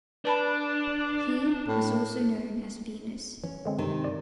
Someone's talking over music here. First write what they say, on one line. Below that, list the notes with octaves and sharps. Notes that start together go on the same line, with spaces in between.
He was also known as Venus.
D4 B4 A5 B5
A2
E3 C#4
D3 G#3 C4
G2 C3 D#3
D5